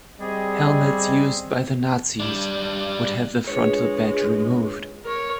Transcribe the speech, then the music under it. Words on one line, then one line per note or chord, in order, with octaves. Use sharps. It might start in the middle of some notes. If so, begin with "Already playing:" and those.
Helmets used by the Nazis would have the frontal badge removed.
G3 C4 G4 G#4 D5 D#5
G3 D4
G#3 D4 F4 B4 C#5
A#4 C#5